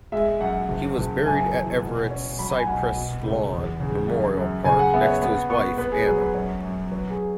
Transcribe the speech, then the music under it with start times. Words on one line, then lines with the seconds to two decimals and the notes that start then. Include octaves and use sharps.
He was buried at Everett's Cypress Lawn Memorial Park next to his wife, Anna.
0.12 G#3 E5
0.40 F#2 F#5
0.69 F#1
0.97 F#1
1.25 F#2 G#5
1.54 E3
1.82 B2
2.10 C#4
2.39 F#3 B5
2.50 B5
2.58 G#5
2.67 B1 F#5
2.95 B2
3.23 C#2
3.52 E2
3.80 C#3
4.08 F#2
4.37 F#2
4.65 C#3 G#5
4.79 F#5
4.93 B3 E5
5.07 C#5
5.21 B3 F#5
5.50 B3 C#6
5.78 B3 B4
5.92 G#4
6.06 F#3 G#4
6.21 B4
6.34 F#2 C#5
6.63 F#2
6.91 F#3 B4
7.10 G#4